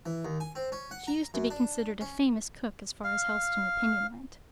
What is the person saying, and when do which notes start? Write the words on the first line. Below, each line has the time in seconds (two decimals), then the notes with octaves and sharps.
She used to be considered a famous cook as far as Helstone opinion went.'
0.06 E3
0.25 D#2
0.40 G#5
0.55 C4
0.72 C#4
0.91 F#5
1.07 A#5
1.34 F#2
1.50 D4
2.01 C#4
3.04 F5